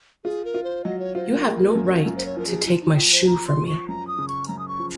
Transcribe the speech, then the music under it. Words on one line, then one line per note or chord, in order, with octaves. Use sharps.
You have no right to take my shoe from me.
F4 G#4
A#4
F4
C5
F#3 D#5
C#5
F4 C5
A#4
A#3 G#4
G#4
F#4
F#2
F#4
F#2 F4
C5
C#5
F3 A#4
G#4
F3 F4
D#4
F3 F4
C5
F3 A#5
C6
F3
C#6
F#2 A#5
D#6
C#3
C#6
F#2 A#5
D#6
C#6
F3